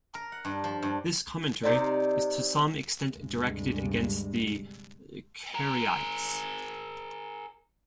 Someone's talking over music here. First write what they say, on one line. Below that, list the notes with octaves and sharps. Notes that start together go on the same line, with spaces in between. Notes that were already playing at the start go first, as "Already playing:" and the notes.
This commentary is to some extent directed against the Karaites.
A#4
F#5
G2
F3
G2
C3 C4 D#4 D5
D2 G2 C3 G#3
G#4 A#4